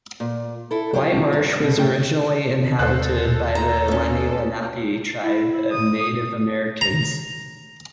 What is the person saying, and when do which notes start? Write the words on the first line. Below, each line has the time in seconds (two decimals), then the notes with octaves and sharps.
Whitemarsh was originally inhabited by the Lenni Lenape tribe of Native Americans.
0.20 A#2
0.71 E4 A4
0.93 F#3 F4 G4 C#5
1.33 G2 C3
1.62 B2
1.76 F#2 A2 G5
2.79 D#2 G#3 A4 C5 F#6
3.55 A#5
3.88 A#3 C#4
5.21 E4
5.73 D#6
6.81 A#5